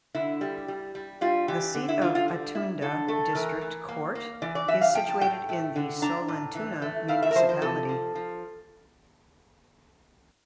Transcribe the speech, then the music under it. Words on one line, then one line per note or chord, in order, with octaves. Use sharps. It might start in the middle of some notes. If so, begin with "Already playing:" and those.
The seat of Attunda district court is situated in Sollentuna Municipality.
D3 E4
G3
G3
G3
G3 F4
E3 G4
D3
E4
D3 F4
F4
G3
E4
D3 A4
A3 A4
E3 A#4
E3
A#3
A#3
E3 D5
D5
E3 E5
F5
F3 G5
A5
A2 G5
A3
D3
D4 A#5
A2
E3
A3
E4 F5
E5
A#4
F3 C5
C5
C3 A4
F3
F3